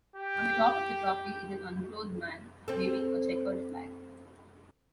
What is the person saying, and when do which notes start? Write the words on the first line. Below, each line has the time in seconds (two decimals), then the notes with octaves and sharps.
On the top of the trophy is an unclothed man waving a checkered flag.
0.16 G4
2.68 C4 A4